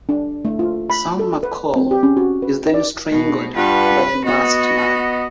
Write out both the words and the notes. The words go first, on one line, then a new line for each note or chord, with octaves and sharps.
Sam McCall is then strangled by a masked man.
D4
A3
F4
B5
A4
B4
C4
G4
C#4
F#4
B4
D5
B2
G2 F4 B4 F#5
B3 F#4 D#5